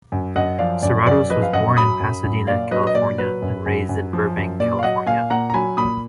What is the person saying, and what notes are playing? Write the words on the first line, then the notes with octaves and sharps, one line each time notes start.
Serratos was born in Pasadena, California and raised in Burbank, California.
F#2
F#2 D#5 F#5
F3 D5 F5
F#2 D5
F#2 D5
F3 B4 D#5
F5
F#2 D#5 F#5
F#3 B5 D#6
F#2
F#2
A#2 D5 F5
F#3 B4 D#5
D#5
A#2 D5
F#3 B4
F#2
F#2
F#2
F3
F#2
A#2 D5
F5
F#3 D#5 F#5
A#2 F5 G#5
A#2 F#5 A#5
A#5
F#3 G#5 B5
A#2 B5 D#6